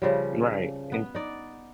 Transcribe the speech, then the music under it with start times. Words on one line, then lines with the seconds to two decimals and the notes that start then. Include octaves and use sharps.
Right, and
0.02 C#3 F3 G3
0.92 B3
1.15 D#4 D5